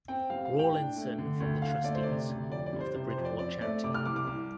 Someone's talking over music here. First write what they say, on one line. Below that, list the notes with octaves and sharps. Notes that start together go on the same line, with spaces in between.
Rawlinson from the trustees of the Bridport Charity.
C4 G5
G3 F5
F5
A2
G5
D4
A3
D3
D2
D2 F5
A3 D5
C5
C3 D5
D2
F2 D5
D5
G3
C5
C3 C5
C5
F2
D5
C4 D5
A3 D5
C3 D6
F6
C2 D6
D6
C2